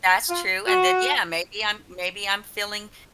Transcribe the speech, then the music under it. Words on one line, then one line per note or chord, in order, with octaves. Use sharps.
That's true, and then Yeah, maybe I'm maybe I'm feeling,
F4
F#4